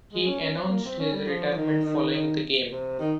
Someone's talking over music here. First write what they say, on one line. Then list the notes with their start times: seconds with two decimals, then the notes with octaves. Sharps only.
He announced his retirement following the game.
0.13 G#3
0.27 C#4
0.41 C#4
0.56 C4
0.70 A#3
0.85 C4
0.99 C#4
1.13 G3
1.28 F3
1.56 D#3
1.85 D#3
2.14 D#3
2.71 C3
2.99 D#3